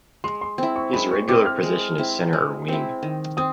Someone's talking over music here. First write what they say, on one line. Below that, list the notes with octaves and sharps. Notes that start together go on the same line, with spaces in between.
His regular position is centre or wing.
G#3 C6
C6
C4 E4
C#6
G#3 B5
C#6
C4 E4 D6
F6
G#3
C4 E4
G#3
C4 E4
D#3
C4 D#6